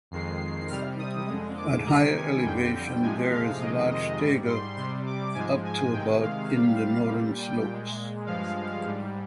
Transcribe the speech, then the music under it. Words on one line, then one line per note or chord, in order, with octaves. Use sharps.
At higher elevations there is larch taiga up to about in the northern slopes.
F2 D#3 G#3 C7
C3 G3 F6
D#6
F2 D3 G#3
D6
C3 D#3 G3 A#5
G#5
F2 D3 G3 G5
F2 C3 F3 G#3 G#5
F5
F2 C3 D#3 G#3 D#5
D#5
G#2 G3
C6
C3 G3 C6
D6
G#2 F3 G#3 G#5
G#5
C3 D#3 G#3 G5
F5
C3 G3 F5
A#2 G3
G5
A#2
G#3
G2 F3 G#3 F5
G#2 G3